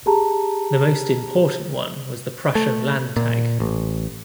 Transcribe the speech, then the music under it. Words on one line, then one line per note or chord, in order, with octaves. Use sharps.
The most important one was the "Prussian Landtag".
G4 G#4 A5 A#5
A3
A#2
A1